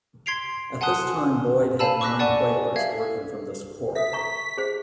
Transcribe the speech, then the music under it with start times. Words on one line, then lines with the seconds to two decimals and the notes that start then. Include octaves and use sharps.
At this time Boyd had nine whalers working from this port.
0.26 C6 G#6 B6 C7 D7 F7
0.81 F#5 G#5 A5 C6 D#6 F#6
1.79 F5 G#5 A5 B5 E6
2.01 C#6 D6 E6 F#6 A#6 B6
2.19 D5 F#5 G#5 A5 C#6
2.76 E5 F5 G#6
3.95 E5 D#6 B6
4.13 A#5 C#6
4.58 G#4 C5